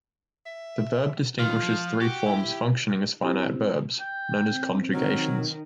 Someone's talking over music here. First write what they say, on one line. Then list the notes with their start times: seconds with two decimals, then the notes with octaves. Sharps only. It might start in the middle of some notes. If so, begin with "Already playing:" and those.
The verb distinguishes three forms functioning as finite verbs, known as "conjugations".
0.46 E5
1.40 D#3 F4
1.63 F3
2.01 F#4 G4
2.26 E4
3.23 C4 D4 E4 G4
4.00 G5
4.51 C4
4.94 D#3 F#3 A#4